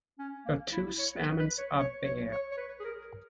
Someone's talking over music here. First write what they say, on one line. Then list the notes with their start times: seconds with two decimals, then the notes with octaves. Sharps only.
The two stamens are bare.
0.19 C#4
0.46 A#3
0.72 E4
0.99 C#5
1.19 B4
1.39 B4
1.58 C#5
1.79 C#5
2.05 C#5
2.32 C#5
2.52 C#5
2.57 B4
2.80 G#4
2.84 A#4